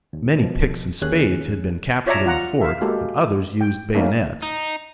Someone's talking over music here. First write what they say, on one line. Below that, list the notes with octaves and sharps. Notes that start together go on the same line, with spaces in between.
Many picks and spades had been captured in the fort, and others used bayonets.
D#2
B2 F3
D#2 C#4 G#4 F#6
F4 C#5 D5 E5 A5 A#5
F4 F#5 A#5
E5 F5
G#3 A#3 F#4 G4 A4
G5
A3 A#3 C#4 D#4
D#4